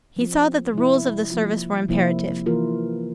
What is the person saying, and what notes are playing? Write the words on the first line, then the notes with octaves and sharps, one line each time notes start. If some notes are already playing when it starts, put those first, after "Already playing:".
He saw that the rules of the service were imperative.
F3 C4 F4
C3 F3 G#3 E4
F3 A#3 F4
C3 F3 A#3 E4
E3 A#3 F4 A#4